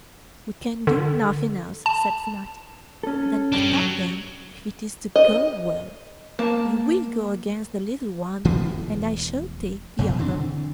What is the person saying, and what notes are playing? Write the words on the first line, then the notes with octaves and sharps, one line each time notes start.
'We can do nothing else,' said Snati, 'than attack them, if it is to go well; you will go against the little one, and I shall take the other.'
D3
A5
C#4 A4
G3 D4
F#3
D#5
A#3 A5
E1 E3 F3 A3
F#1 F2 B2 D3
D3 E3 C4 D4